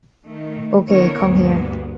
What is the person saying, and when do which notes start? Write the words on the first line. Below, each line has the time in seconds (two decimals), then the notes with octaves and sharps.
Okay, come here.
0.25 D#3 A3
0.88 D3 A#3 B3 E4 A#4 C#5
1.22 D2 G2 A#3 B3